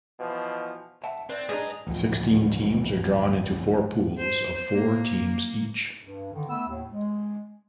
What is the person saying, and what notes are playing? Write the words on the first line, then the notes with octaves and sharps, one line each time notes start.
Sixteen teams are drawn into four pools of four teams each.
B2 E3 F3
E5 F#5 A5
C4 B4 D5
G#2 D4 G#4 D#5 A#5
A1 D2 F3
C5
A#3
G2
D3 D#3
A3 B3 E6
D#2 A2
G#3